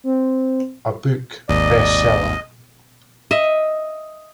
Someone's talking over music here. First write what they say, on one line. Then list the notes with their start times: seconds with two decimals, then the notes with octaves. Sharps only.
A book, Bestseller!
0.04 C4
1.49 G#1 D#2 D5 D#5
3.31 D#5 E5